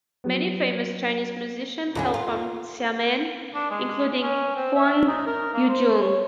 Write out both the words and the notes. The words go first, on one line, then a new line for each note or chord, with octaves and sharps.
Many famous Chinese musicians hail from Xiamen, including Huang Yujun.
F#3 B3
D#2 D3 C#4 F4 G#5 B5
F4 A#5
D4
G#3
C#4
C4
E5
D#4
A#4
A#3
C5
C#5